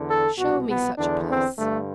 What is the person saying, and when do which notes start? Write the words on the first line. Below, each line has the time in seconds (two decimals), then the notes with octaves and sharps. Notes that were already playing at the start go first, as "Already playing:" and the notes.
"Show me such a place!"
Already playing: E2 D3
0.09 A4
0.39 C2 B2 F#4
0.69 B3
0.97 E2 D3 D4
1.27 C4
1.56 G2 D3 A3